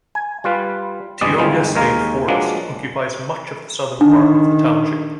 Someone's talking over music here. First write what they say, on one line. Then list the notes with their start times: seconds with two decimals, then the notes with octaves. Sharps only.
Tioga State Forest occupies much of the southern part of the township.
0.15 G#5
0.44 G3 F4 B4 F5
1.21 G#1 E2 G3 G#3 D5 D#5
1.38 G1 G#3 C4 D#4 F4
1.75 D#2 G#3 A#4 F5 A#5
2.28 F3 F#3 G#3 A#3 D4
4.01 D#3 D4